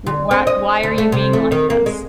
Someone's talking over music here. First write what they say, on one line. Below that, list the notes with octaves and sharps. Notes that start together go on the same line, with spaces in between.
Wh why why are you being like this?"
D3
C4
D#5
D2
A3
C3
A3
D#3
A#3
G#3